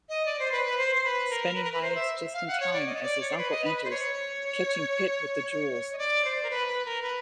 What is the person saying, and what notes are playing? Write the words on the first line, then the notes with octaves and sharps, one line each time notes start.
Spennie hides just in time as his uncle enters, catching Pitt with the jewels.
D#5
D5
C5
B4
B4
C5
C5
B4
A#4
B4
A#4
B4
C5
E5
F5
F#5
C#5
D5
D#5
C#5
D5
C#5
C5
B4
D#5
B4
B4
C5
C#5
D#5
D5
C5
A#4
B4
B4
A#4
B4